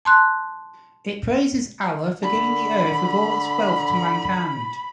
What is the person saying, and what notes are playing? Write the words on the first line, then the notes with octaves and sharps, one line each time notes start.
It praises Allah for giving the Earth with all its wealth to mankind.
A5 C6 F#6
D3 B5